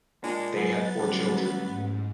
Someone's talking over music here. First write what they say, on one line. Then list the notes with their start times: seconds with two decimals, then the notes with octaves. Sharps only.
They had four children.
0.24 A#2 G#3 D4
0.56 F#2 B3 A6
0.99 A1 D3 F#3 G3 B5 A6
1.66 G#2